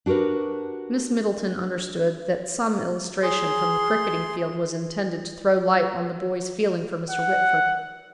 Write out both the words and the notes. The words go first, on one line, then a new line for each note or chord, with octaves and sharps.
Miss Middleton understood that some illustration from the cricketing-field was intended to throw light on the boy's feeling for Mr. Whitford.
D4 F#4 G4 A#4 B4
G#4 C6
F#5